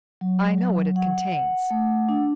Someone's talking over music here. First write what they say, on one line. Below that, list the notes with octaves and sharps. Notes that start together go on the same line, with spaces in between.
I know what it contains.
F#3
F#3
F#5
F#5
A3
D4